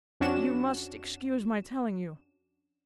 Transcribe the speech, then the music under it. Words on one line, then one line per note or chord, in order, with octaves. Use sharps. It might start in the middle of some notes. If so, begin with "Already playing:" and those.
'You must excuse my telling you.
F2 C#4 D4 F#4 E7